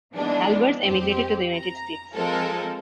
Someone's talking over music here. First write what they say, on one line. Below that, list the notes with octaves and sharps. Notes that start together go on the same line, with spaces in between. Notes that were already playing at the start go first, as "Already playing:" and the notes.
Albers emigrated to the United States.
E3 G#3 B3 D4 D#4
F2 C4 G4
A#5
F3 G#3 C4 F4 A4 A#4